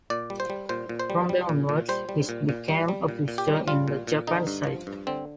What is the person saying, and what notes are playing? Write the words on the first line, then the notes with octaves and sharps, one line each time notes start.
From there onwards he became a fixture in the Japan side.
A#2 D5
G3
C5
G3
A#2 C5
A#2
C5
G3
G3
A#2
A#2
G3 C5
G3
A#2
A#2
G3
G3
A#2
A#2
G4
G3
G3 F4
A#2
A#2
D3 D#4
G2
F3
G2
D3 C4